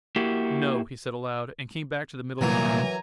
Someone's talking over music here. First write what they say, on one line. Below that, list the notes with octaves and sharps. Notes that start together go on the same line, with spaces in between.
"No," he said aloud, and came back to the middle of the room.
A#3 E4 F#4 G4
C2 A#2 E3 F#3 A#4 G#5 A#5